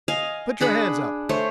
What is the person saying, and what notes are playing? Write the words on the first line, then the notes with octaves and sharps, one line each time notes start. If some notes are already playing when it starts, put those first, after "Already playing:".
"Put your hands up!"
D#5 F5 G#5
D4 G#4 F#5 B5
A3 C5 C#5